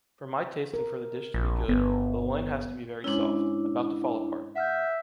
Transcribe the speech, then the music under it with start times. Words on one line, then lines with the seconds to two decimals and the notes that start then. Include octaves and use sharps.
For my taste and for the dish to be good, the loin has to be very soft, about to fall apart.
0.74 A#4
1.34 A#1
1.68 G1 B3
3.04 G#2 C#4 D4 E4
4.56 E5 F#5 F6 G6